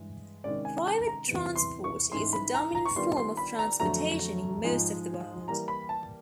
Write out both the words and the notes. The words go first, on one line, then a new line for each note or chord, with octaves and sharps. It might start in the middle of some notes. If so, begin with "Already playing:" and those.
Private transport is the dominant form of transportation in most of the world.
Already playing: G2 E3 G#3
C3 D#3 G#3 C#4 D5
G#5
A5
A#5
E2 C3 E3 G3 B3
C6
C#6
G#2 E3 G#3 C#4 E4 C6
B5
A#5
A#5
C#6
D#3 G3 B3 D4 F4 C6
C6
B5
A#5
F2 D3 F#3 A3 A#5
G#2 F3 G#3
E3 G3 A#3 A#5
B5
A5